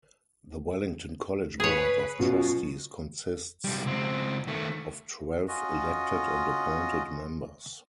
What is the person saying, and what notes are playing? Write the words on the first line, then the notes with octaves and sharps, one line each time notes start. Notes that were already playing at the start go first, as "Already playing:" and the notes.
The Wellington College Board of Trustees consists of twelve elected and appointed members.
G#4 B4 C#5
B2 F#3 C#4 F4
B1 G3
C#2 C4
D#3 A3
C#4 F4 F#4 D#5